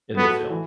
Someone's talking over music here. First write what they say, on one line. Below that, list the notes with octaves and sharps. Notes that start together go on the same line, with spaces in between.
in the film.
A2 A3 B3 F#4
E3